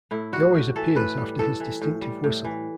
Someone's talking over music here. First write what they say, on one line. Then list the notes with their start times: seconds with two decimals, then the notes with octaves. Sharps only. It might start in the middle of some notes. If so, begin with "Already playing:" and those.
He always appears after his distinctive whistle.
0.11 A2 E4
0.32 G3 F#4
0.54 A2
0.76 E3 A4
0.96 A2 B4
1.17 G3
1.39 A2 A4
1.60 E3
1.82 A2
2.02 G3
2.24 A2
2.45 E3